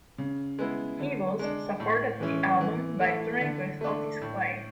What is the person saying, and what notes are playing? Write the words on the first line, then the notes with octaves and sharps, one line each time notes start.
Peebles supported the album by touring with Otis Clay.
C#3
G#3 B3 E4
D3
G#3 D4
A2
E3 G#3 C#4 E4
E3
A3 E4
D3
A3 D4
A2